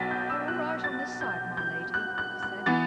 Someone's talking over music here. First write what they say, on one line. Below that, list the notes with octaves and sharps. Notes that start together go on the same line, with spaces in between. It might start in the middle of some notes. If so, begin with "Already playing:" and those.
"They're all right on this side, my lady," he said.
Already playing: B1 B2 F#3 B3 A6 B6
G6
E6
F#6
A6
G6
G6
F#6
F#6
F#6
E3 B3 A6